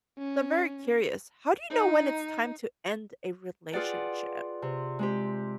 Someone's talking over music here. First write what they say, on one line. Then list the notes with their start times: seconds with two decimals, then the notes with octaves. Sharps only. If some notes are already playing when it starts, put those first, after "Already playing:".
So, I'm very curious. How do you know when it's time to end a relationship?
0.19 C#4
1.70 D#4
3.72 F4 G#4 B4 D5 F#5 G5
4.62 C3
4.99 G#3 C4 G4